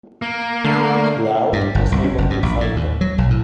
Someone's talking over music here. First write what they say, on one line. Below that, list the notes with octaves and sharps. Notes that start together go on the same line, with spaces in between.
Cloud was able to fight back.
A#3
D3 A3 C7
G2
G1
C2
C#4
F#1
G2
A#1
A2
D#2
F#3
B1
A2